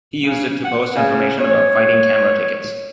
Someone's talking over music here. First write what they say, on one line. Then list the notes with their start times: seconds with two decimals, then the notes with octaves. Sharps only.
He used it to post information about fighting camera tickets.
0.23 C#3
0.65 F#5
0.95 C#3
1.40 C#5